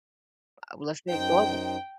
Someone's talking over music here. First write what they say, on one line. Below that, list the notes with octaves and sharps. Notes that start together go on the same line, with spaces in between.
a well, let's say global.
F#2 D#4 C5 G5